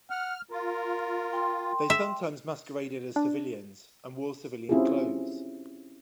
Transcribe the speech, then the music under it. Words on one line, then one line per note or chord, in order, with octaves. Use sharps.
They sometimes masqueraded as civilians and wore civilian clothes.
F#5 F6
F4 A#4
G5 C6
E5
D4
C4 C#4 E4 F4 G4 G#4